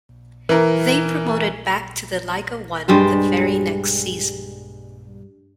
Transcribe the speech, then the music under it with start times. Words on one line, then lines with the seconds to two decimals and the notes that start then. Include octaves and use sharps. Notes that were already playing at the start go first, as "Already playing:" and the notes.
They promoted back to the Liga One the very next season.
0.49 E3 A#4
2.88 G2 G3 G#3 C5